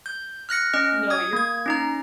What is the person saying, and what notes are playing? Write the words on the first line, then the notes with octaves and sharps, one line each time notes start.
No. You're
G6
F6 F#6 A#6 C#7
C#4 D#5 F6
D#6 G#6
A#3 G#6
C#4 D#4 A#5